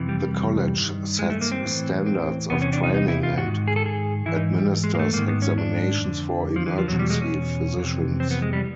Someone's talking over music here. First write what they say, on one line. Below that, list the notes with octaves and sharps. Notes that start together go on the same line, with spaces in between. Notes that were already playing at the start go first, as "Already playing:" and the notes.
The College sets standards of training and administers examinations for emergency physicians.
Already playing: F2 C3 E3
G3
G3
G2 D#3
G#3
A3
A#3
C4
A2 E3
C4
E2 C3 E3 B3
C#4
D4
D#4
D#4
E4
F4
G#2 D#3 F#4
G#4
A4
G#4
G#2 E3 E4
D#4
G3
G#3
A#3
A3
G#2 D#3 A#3
B3
C#4
D4
F2 D3
F3
E3
F3
E2 B2 F#3
G3
G#3
C#4
F2 C3 E3
C4
B3
G#3
G3